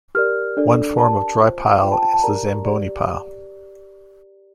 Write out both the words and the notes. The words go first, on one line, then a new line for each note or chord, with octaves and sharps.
One form of dry pile is the Zamboni pile.
G4 A#4 D5 F6
D4 A4 D5
G4 A#4 D5 A5
F4 C5
F4 C5 G5
A5
A5
A5
G4 A#4 D5 A#5
G4 D5